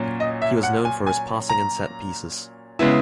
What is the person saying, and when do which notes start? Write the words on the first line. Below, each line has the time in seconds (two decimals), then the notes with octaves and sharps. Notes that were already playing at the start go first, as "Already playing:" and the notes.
He was known for his passing and set pieces.
Already playing: A#2 F#3 C#4
0.20 D#5
0.42 E5
0.63 F#5
0.85 G#5
1.07 G#5
1.50 A#5
2.79 C#3 G#3 B3 E4